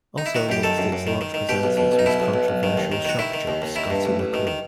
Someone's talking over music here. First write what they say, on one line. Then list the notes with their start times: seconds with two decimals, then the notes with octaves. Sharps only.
Also amongst its launch presenters was controversial shock jock Scottie McClue.
0.18 D#4
0.26 E4
0.35 D#3 F#4
0.49 F#2 G4
0.63 D#3 A4
0.78 F#2
0.92 F#2
1.07 D#3
1.21 D#3
1.34 D#3
1.49 B2 G4
1.63 B1
1.77 B2
1.92 B1
1.99 D#4
2.06 B2 E4
2.20 B1
2.34 B1
2.48 B1
2.63 D#3
2.77 D#2
2.92 D#3
3.05 D#3 F#4
3.19 D#3 E4
3.34 D#3
3.47 D#2
3.62 D#2
3.76 D#3 E4
3.90 G2
4.05 A1
4.19 A1
4.34 D#3
4.47 D#3